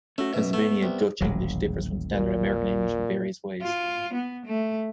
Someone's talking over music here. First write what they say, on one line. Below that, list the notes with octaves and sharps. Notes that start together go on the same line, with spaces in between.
Pennsylvania Dutch English differs from standard American English in various ways.
A3 C#4 F#4
F#2 B2 E5
A3 B3
C2
D#1 A1 F#3
A#2
F4
B3
A3